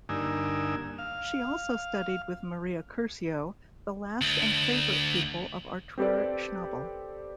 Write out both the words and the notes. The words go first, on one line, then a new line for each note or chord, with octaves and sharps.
She also studied with Maria Curcio, the last and favourite pupil of Artur Schnabel.
G2 D3 A#3 D#4 G#5 E6
F5
D2
C4 G4 A4 B4 D5